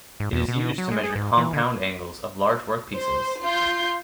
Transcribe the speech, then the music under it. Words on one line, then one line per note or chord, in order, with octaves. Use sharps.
It is used to measure compound angles of large workpieces.
G#2
E2
B2
B2
F#3
G#3
G#4
G#2
E3
D3
C5
F4 C6 G6